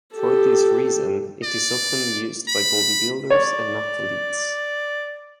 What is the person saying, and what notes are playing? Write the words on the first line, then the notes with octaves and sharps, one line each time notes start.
For this reason, it is often used by bodybuilders and athletes.
G4 A4
D5
B5
C#5 D5